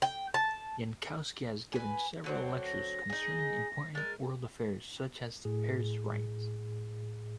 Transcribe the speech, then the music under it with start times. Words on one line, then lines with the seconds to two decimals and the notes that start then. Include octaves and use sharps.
Jankowski has given several lectures concerning important world affairs such as the Paris riots.
0.02 G5
0.34 A5
1.73 B4 G#5
2.24 D3 F#3 C4
2.65 A#6
3.10 D#4 G#4
3.95 G#3 A#4 A6
5.45 A2 G#4